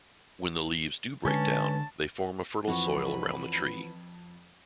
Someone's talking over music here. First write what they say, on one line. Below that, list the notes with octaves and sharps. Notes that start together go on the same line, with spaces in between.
When the leaves do break down, they form a fertile soil around the tree.
D3 G#3 C#4 B4 A5
F2 E3 F3 F#4 B4 C#5 B5